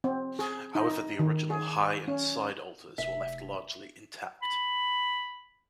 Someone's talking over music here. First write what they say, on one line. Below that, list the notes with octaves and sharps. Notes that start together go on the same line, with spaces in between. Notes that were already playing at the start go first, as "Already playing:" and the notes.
However, the original high and side altars were left largely intact.
C4
G#4
D#4
D#3
G#4
C#4
F1 E5
B5